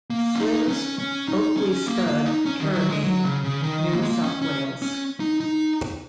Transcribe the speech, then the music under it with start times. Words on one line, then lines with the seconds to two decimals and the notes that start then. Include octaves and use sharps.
Flynn's Oakleigh Stud, Kerrabee, New South Wales.
0.10 A#3
0.35 C#4
0.40 D#4
0.68 C#4
0.99 C#4
1.28 D#4
1.57 C#4
1.87 A#3
2.07 A#3
2.26 D#4
2.46 C#4
2.60 D#3
2.75 F#3
2.90 G#3
3.04 F#3
3.24 C#3
3.44 C#3
3.63 D#3
3.94 A#3
4.01 G#3
4.09 A#3
4.23 C#4
4.42 C#4
4.82 C#4
5.20 D#4
5.41 D#4